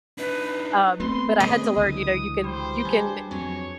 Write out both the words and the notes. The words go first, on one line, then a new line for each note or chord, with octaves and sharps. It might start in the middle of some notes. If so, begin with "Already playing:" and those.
um, but I had to learn, you know, you can you can
D4 D#4 B4
A3 B3 C4 B4 C6
G#4 D#5
C#2 D3 E3 D#6
G3 C5
G3 D4 G#4
F2 F#3 C#5